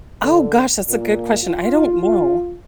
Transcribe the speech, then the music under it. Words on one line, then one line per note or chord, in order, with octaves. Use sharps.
Oh, gosh, that's a good question, I don't know.
D3
A#2
F4